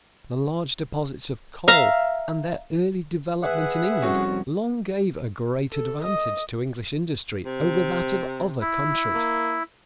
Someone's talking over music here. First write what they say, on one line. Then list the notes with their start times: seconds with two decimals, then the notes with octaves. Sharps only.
The large deposits of coal and their early development in England long gave a great advantage to English industry over that of other countries.
1.68 E5 F5 A#5
3.43 G#4 B4 E5 F#5
4.02 C2 F2 C#4 F#4
5.72 A4
6.03 D#5
7.46 C3
8.61 E4
9.15 A#3